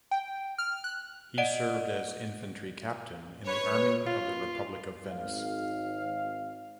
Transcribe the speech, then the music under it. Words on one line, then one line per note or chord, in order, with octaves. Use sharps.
He served as infantry captain in the army of the Republic of Venice.
G5
F6
F#6
D5 D#5 F#5 D7
B4 C#5
F4
G#1 F5